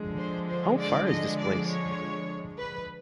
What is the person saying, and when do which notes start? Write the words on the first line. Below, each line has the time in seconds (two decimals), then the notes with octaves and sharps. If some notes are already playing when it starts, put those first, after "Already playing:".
How far is this place?
Already playing: D3 F3 G#3
0.17 C5
0.48 C5
0.78 D5
1.07 D#5
1.37 D5
1.67 C#5
2.57 B4